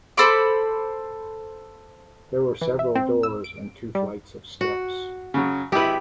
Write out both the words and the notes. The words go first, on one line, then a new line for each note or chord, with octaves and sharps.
There were several doors, and two flights of steps.
A4 C5 B5 D6
E3
E5
C4
E6
D7
G3
F#4
C#3 F#3
G#1 E4 G4 B4